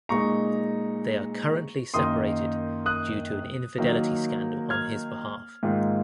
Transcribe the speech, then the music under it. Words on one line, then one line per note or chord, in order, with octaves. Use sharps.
They are currently separated due to an infidelity scandal on his behalf.
A#2 G#3 D#4 A#5 C#6
F#2 D#3 A#3 D#4 C6 D#6
D#6 F#6
D#3 F#3 A#3
F6 G#6
G#2 D#3 A#3 F4